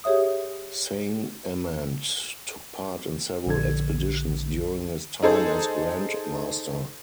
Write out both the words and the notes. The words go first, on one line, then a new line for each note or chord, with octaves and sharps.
Saint Amand took part in several expeditions during his time as Grand Master.
G4 G#4 C#5 E5 D#6
A#1 D3 G#6
D#4 G#4 A4 C5